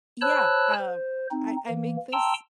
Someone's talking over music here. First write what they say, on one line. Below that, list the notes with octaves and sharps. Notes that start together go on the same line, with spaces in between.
Yeah, um, I I make this
C5 C#5 A5 B5 E6 F#6
C5
C4 D#4
E3 A#3
G5 A5 A#5 C6 E6